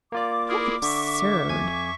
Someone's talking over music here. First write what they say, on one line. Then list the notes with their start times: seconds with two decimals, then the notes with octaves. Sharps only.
How absurd!
0.12 A#3 F4 D5 D6
0.49 E4 G#4 A#4
0.82 D3 E5 C#6
1.49 F2 G#5 G#6